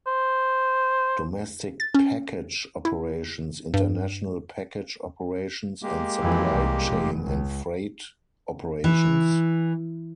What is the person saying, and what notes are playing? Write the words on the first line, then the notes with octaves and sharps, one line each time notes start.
Domestic Package operations, International Package operations, and Supply Chain and Freight operations.
C5
A6
C#4
E4
G2
G#3 A#3 G4
F2 E3
C2
F1
C#2
E3